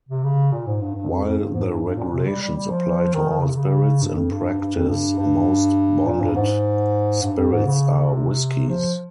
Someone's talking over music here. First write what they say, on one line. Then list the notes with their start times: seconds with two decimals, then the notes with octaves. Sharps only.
While the regulations apply to all spirits, in practice, most bonded spirits are whiskeys.
0.09 C3
0.23 C#3
0.52 A#2
0.67 G#2
0.81 G2
0.95 G2
1.11 F2
1.24 F2
1.39 G2
1.53 G#2
1.68 G2
1.83 G2
1.97 A#2
2.12 C3
2.27 G3
2.42 G3
2.56 G3
2.71 F3
3.14 D#3
3.29 D#3
3.38 C#3
3.47 C3
3.56 C#3
4.02 G2
4.16 F2
4.31 G2
4.60 G2
4.75 F2
4.89 G2
5.19 G2
6.06 A#2
6.21 G2
6.36 G#2
7.22 G2
7.37 F2
7.52 G#2
7.66 C#3
8.10 C3
8.69 F3